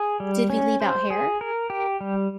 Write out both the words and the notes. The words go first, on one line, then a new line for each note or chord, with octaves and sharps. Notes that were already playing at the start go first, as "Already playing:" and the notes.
Did we leave out hair?
Already playing: G#4
G3
C#4
C5
G#4
A#4
G4
G3